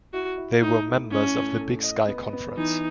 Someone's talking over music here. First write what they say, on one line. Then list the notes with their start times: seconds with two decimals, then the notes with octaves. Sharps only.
They were members of the Big Sky Conference.
0.13 E4 F#4
0.38 E4
0.62 A3 D#4
0.86 E4
1.11 A2 C#4
1.36 A2
1.60 A4
1.83 D#5
2.08 B3
2.33 B3
2.57 E3 D#4